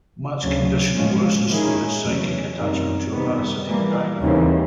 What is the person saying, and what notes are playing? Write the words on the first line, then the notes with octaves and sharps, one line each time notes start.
Mat's condition worsens through his psychic attachment to a parasitic dagger.
D2 C#3 F#3
A2 F3 G#3 C#4 F4
D#3 G#3 C#4 E4 G#4
E2 B2 F#3 A3 C#4
F#2 D#3 G3 C4
C3 D#3 G3 B3
E3 G3 A#3
D#2 C#3 E3 G3 C4